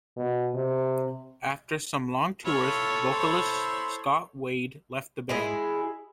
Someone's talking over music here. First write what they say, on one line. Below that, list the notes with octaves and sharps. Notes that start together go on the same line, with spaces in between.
After some long tours, vocalist Scott Wade left the band.
B2
C3
E4 F4 A4 C#5
E4 C5
G#3 E4 G#4